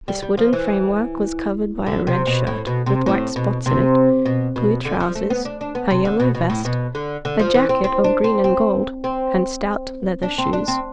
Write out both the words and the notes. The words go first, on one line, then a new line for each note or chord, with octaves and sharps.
This wooden framework was covered by a red shirt--with white spots in it--blue trousers, a yellow vest, a jacket of green-and-gold and stout leather shoes.
G3
G3
F3
E3
D3
C3
B2
A2
B2
C3
A2
B2
C3
B2
B2
D3
F3
A3
B3
D4
D4
B3
C3
D3
B2
B2
A2
B2
D3
D3
F3
E3
C4
C4
D4
C4
C4
C4
D4
C4
D4
C4